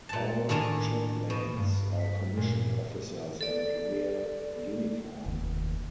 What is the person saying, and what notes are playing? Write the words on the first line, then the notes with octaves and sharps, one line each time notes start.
All chaplains are commissioned officers and wear uniform.
A#2 A5
A2 D#3 D4 A4 G#5 A#5
B2
G2
B6
A#2
A4 D5
F1 D#2